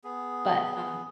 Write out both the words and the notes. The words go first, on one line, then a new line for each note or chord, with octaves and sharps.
but, um
B3 G#4